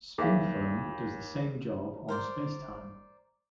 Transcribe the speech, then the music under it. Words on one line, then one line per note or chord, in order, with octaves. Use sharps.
Spin foam does the same job on spacetime.
D#2 G#4 E5 F5
A#4 C5 D5